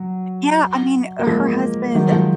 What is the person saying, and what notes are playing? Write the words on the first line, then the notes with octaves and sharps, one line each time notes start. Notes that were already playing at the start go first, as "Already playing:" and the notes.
Yeah. I mean, her husband
Already playing: F#3
A#3
F3 G#3
D#3 F#3
F3 G#3